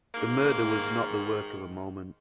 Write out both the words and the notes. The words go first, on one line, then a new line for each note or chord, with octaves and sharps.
The murder was not the work of a moment.
G#2 D#3 A#3